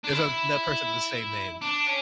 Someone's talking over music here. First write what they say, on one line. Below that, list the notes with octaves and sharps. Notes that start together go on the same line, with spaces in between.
There's another person with the same name.
D4
E4
D4
C#4